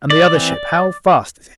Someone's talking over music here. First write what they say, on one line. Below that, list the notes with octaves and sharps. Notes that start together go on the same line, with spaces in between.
"And the other ship--how fast is it?"
D5
E3 C4